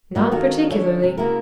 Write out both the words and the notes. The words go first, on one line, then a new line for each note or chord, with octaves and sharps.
"Not particularly."
F#3 G3 A#3 F4 F#4 D#5
D#3 F#3 F#4 A4 F5
D3 C#4 D4 E4 C#5
C3
C#3 A#3 E4 F#4 A#4